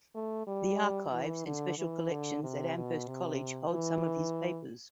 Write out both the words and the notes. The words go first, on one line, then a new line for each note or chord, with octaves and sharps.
The Archives and Special Collections at Amherst College holds some of his papers.
A3
G3
E3
D3
E3
D3
C3
B2
C3
E3